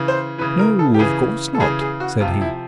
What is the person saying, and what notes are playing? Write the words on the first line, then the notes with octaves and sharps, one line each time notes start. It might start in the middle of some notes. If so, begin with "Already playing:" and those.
"No, of course not," said he.
Already playing: C#3 E3
C5
C#3 E3 B4
A#4
A4
G4
C#3 E3 G#4
A4
C#3 E3 G#4
G#4
F#4
C3 F3 F4
E4